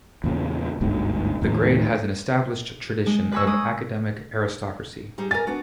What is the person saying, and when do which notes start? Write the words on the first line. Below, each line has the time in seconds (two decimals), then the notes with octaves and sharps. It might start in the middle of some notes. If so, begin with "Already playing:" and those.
The grade has an established tradition of academic aristocracy.
0.24 E2 A#2 C#3
0.81 G1 D2 G#2 B2
1.42 D#2 A2 D#3 F3
3.06 G#3
3.32 B4 D#5 G#5 B5 C#6 E6
3.47 G#3 B4 D#6
5.18 G3 D#4 G#4
5.31 A#4 G#5 A6
5.47 B3 D4 F#4